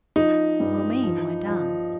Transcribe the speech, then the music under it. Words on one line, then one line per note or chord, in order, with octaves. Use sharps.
Romayne went on.
F3 D#4
G2
F3
F3